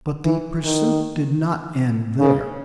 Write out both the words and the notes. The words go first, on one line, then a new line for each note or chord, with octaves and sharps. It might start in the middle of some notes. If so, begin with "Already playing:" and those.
But the pursuit did not end there.
E3
D#3
C#3